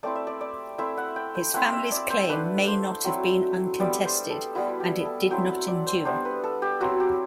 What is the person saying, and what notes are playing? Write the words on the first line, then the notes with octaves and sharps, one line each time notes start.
His family's claim may not have been uncontested, and it did not endure.
A3 C4 E4 D5
E5
D5
D5
A3 C4 E4 E5
F#5
G5
G5
A3 C4 E4 F#5
E5
D5
C5
A3 D4 B4
C5
F#3 C4 E4
G3 B3 E4 D5
C5
A4
G3 B3 E4 F#4
G4
A4
F#3 C4 E4 G5
F#5
D5
C5
G3 B3 D4 C5
B4
A4
G4
F#3 C4 E4 F#4
G4